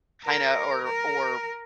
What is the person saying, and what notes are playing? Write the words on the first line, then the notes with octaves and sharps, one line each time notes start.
kinda or or
A#4
A#4